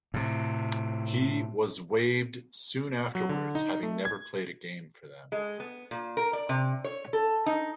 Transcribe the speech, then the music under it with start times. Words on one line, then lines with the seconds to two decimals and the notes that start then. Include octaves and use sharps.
He was waived soon afterwards, having never played a game for them.
0.14 A2 C3
3.15 F#3
3.29 D3
3.55 D#4
3.83 A3
4.05 G#6
5.32 G#3
5.60 B3
5.91 A#2
6.17 A#4
6.33 D5
6.49 C3
6.84 C#5
7.13 A4
7.46 D#4